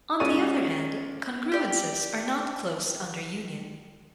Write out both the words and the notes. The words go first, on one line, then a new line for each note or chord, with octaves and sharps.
On the other hand, congruences are not closed under union.
G#3 C#4 F4 D5 C#6 D#7
G4 D5